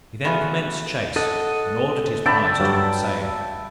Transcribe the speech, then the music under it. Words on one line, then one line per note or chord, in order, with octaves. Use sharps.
He then commenced chase, and ordered his prize to do the same.
A3 B3 F4 F#4 G#4
A4 D#5 F#5
D3 E5 G5 A5 B5
G2 F#3 G3